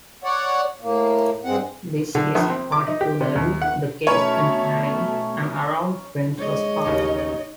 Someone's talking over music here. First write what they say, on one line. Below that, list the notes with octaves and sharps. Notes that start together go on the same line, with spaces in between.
This is particularly the case in Canning, and around Princes Park.
C#5 D5 F#5
A2 A#3
G2 G#3 C4 F#5
D3
A#1
C4
D6
D#4
G4
C3
D#2
F#5
B2 A3 C#4 D#4 C#5 B5
G#3 C#5 D#5
A1 D#2 C#3 D#4